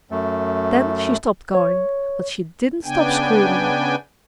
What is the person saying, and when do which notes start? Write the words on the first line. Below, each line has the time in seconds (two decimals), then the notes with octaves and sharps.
Then she stopped going, but she didn't stop screaming.
0.11 F#2 A3
1.55 C#5
2.84 C#3 B3 D4 G5 G#5